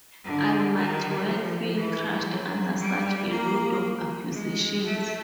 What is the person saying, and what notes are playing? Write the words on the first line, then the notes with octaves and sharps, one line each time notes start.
I might well feel crushed under such a load of accusations.
D3
D#3
F3
E3
F#3
G3
A#3
G#3
A3